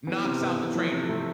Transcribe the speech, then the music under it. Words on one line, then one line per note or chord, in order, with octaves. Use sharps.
knocks out the trainer,
E3 B3
C3 C4
C3 B3
E3
F3 A3
C3
C3 A3